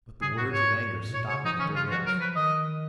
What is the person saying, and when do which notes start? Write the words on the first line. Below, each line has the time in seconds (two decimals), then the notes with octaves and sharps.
But the words of anger stopped at their lips.
0.22 C#3 G#4
0.32 A#2 F#4
0.42 G#2
0.52 G#2 C#5
1.09 B2
1.14 A#2 C#5
1.24 B2 C#5
1.34 C#3
1.45 F3 D#4
1.55 F3 C#4
1.65 D#3
1.75 C#3 F4
1.90 F3 F#4
2.04 F#3 A#4
2.17 F3 B4
2.36 D#3 D#5